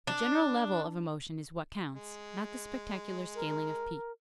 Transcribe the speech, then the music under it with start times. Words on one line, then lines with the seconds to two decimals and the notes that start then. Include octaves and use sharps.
The general level of emotion is what counts, not the spectacular scaling of peaks.
0.07 D4
1.96 G#3
3.35 A#4